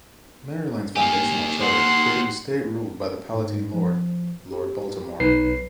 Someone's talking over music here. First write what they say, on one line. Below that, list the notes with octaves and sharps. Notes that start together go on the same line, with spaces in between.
Maryland's foundational charter created a state ruled by the "Palatine lord," Lord Baltimore.
A#3 G4 G#5
F#5 C6
G#2
F3
G4
B1 D#4 B4 C7